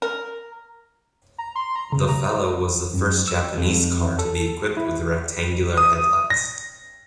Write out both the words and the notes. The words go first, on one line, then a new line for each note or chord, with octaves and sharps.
The Fellow was the first Japanese car to be equipped with rectangular headlights.
A#4
A#5
C6
A#5
C#3
A#5
F#2
E6
F2
A4
E4
D#6
A#6